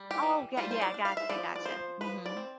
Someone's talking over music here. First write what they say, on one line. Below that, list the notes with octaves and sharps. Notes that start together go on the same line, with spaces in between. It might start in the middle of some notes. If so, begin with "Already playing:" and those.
Oh, 'kay, yeah, I gotcha, gotcha. Mhm.
Already playing: G3
G4
E3
G3 F4
C5
D5
D4
F5
E5
F3 D5
D5
F3 C5
F3 B4
D5
C4